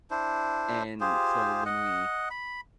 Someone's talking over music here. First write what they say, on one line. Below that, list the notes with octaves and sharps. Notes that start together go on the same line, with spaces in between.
And so, when we
D4 E4 C5
F4 G4 G#4 C5
D#5 F#5
B5